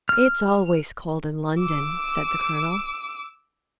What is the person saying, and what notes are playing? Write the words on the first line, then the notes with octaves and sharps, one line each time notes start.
"It's always cold in London," said the colonel.
F6
D6 E6